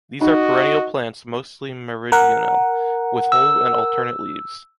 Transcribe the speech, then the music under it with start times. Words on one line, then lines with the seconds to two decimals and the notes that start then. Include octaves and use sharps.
These are perennial plants mostly meridional, with whole and alternate leaves.
0.21 D#4 F#4 D#5
2.12 A#4 F#5
3.32 E6